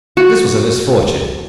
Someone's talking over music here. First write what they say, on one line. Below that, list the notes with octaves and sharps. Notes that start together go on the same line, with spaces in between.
This was a misfortune.
F#4